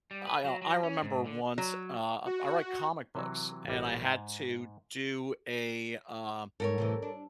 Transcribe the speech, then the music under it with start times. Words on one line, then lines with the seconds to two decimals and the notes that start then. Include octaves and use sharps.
I, uh, I remember once, uh I write comic books, and I had to do a, uh,
0.11 G3
0.27 B4
0.44 F#3
0.62 F#3
0.83 C#4
1.02 G#2
1.26 D3
1.58 F#3
2.26 F#4
3.15 C3 E3 F#3
3.68 A1 G3 F#4 A#4
4.05 G#2
6.60 G#2 A4 A#4 C#5
6.78 A2 C3 E3
7.02 D4